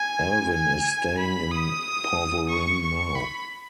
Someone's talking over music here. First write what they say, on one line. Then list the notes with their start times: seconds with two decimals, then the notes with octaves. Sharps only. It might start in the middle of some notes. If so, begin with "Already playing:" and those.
Alvyn is staying in Porvorim now.
Already playing: G#5
0.53 G#5
1.18 B5
1.51 D#6
2.50 C#6
2.82 C#6
3.15 B5